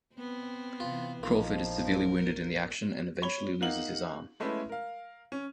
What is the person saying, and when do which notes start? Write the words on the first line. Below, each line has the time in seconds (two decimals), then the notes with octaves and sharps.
Crawford is severely wounded in the action and eventually loses his arm.
0.16 B3 C4
0.80 C3 E3 F4
1.23 A#1 F3 A#3 D#4
1.84 A#4
3.22 C#5 B5 G7
3.61 A#3 D#4 F5 F#5 F#7
4.40 G#3 A3 B3 C#4 E4 B4
4.69 A#4 F5
5.32 C#4